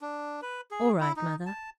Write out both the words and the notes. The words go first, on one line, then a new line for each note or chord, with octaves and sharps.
'All right, Mother.
D4
B4
G#4
E4
D#4
A5